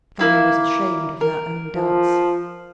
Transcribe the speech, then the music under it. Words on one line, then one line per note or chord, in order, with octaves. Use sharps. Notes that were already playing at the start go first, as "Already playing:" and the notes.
Fanny was ashamed of her own doubts.
A#3 E4 F5
A#4
F3